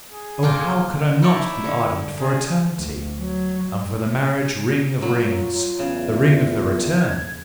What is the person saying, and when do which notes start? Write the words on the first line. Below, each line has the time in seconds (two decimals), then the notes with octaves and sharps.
Oh, how could I not be ardent for Eternity, and for the marriage-ring of rings--the ring of the return?
0.12 G#4
0.43 A#3 F4 G5
1.22 D#4 E4 C#5 D5
1.64 D3
2.19 G#4
2.77 D2
3.20 F#3
5.02 F#3 F4
5.79 E2 C#3
7.00 G#6